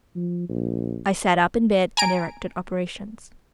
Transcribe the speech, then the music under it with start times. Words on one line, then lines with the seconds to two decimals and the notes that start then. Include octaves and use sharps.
I sat up in bed and directed operations.
0.16 F3
0.49 A#1
1.97 G#5 A#5 D7